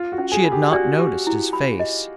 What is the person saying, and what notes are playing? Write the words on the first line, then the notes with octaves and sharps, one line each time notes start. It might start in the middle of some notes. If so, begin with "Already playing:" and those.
She had not noticed his face.
Already playing: F4
F#4
C#4
G#4
F4
G4
F#4 D5
G4
E4
B5
D#5